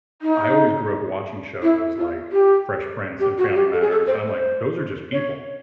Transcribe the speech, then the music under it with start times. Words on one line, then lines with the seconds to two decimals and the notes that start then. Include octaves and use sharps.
I always grew up watching shows like Fresh Prince and Family Matters, and I'm like, "Those are just people,"
0.22 D#4
1.62 E4
1.97 F4
2.32 G4
3.20 G4
3.38 F#4
3.55 G4
3.73 A4
3.82 G#4
3.90 A4
4.07 C5
4.25 C5
5.12 C#5